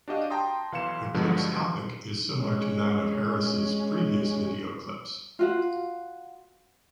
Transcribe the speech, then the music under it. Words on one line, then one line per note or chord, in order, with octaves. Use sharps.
The clip’s topic is similar to that of Harris’ previous videoclips.
D4 F#4 G4 D#5 F5
G5 A5 A#5 C6 D#6
B1 E3 F5 C6 C#7 E7
G2 B2 D3 F3 F#3 G#3
G#3 C#4
F4 F#4 F5